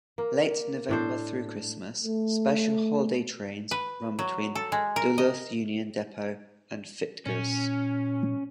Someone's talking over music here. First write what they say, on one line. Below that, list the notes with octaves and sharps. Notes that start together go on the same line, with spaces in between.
Late November through Christmas, special holiday trains run between Duluth Union Depot and Fitgers.
A#3
A2 D4 C5
A3
B4
F#3
A4
G#3
A#4
D#5
A#2 C#4